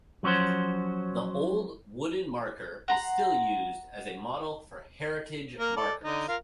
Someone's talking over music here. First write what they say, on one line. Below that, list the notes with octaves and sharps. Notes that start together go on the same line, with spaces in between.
The old wooden marker is still used as a model for heritage markers.
F3 F#3 C#4 F#4 C5
F#5 A#5 C6
A#3 A#4
A4 D5
D3 D#4
F4 A#4 F5